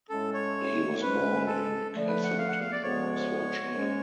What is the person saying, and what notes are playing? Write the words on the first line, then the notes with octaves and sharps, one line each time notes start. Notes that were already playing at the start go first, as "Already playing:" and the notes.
He was born in Cassington, Oxfordshire.
A2 G#3 C#4 A4
C#5
G#2 G#3 C#4 B4
A4
D3 F3 A3
B4
F#5
F5
F#5
F5
D5
D2 C#3 F3 G#3 B3 C#5
G#2 G#3 C#4